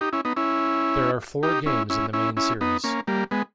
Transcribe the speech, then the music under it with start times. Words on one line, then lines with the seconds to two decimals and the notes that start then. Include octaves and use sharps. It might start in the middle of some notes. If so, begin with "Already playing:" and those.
There are four games in the main series.
0.01 D#4 G4
0.13 C#4 E4
0.25 B3 D#4
0.37 C#4 E4
1.43 D#4 G4
1.66 C#4 E4
1.90 C#4 E4
2.13 C#4 E4
2.37 C#4 E4
2.61 B3 D#4
2.84 A#3 C#4
3.07 G3 A#3
3.31 G#3 B3